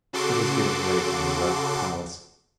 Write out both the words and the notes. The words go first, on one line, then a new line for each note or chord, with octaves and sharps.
It was getting late when we left the Palace.
C#3 F#4 A4 C6 D6